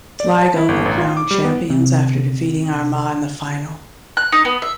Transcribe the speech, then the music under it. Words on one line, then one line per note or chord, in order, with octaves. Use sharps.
Sligo were crowned champions after defeating Armagh in the final.
D5
A5
E4
G1
A1
F4
D6
G3
B3
C3
F#6
D#4
B3
E5